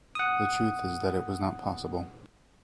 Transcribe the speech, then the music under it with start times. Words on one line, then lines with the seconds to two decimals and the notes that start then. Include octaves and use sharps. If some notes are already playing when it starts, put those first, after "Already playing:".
The truth is that it was not possible.
0.15 F#5 D#6